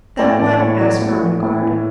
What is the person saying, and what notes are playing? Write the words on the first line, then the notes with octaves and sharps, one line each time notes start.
"That what?" asked Ermengarde.
A2 D5
E3 D5
A2 C#5
E3 D5
A2
E3
A2
E3